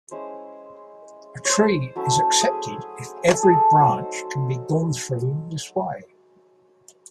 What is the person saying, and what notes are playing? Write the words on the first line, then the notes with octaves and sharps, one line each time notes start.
A tree is accepted if every branch can be gone through this way.
G#3 C#4 E4 C5
C5 C#5
F#3 A3 C#4 E4
G#4
A4
G#4
A4
F#3 A3 D#4 C5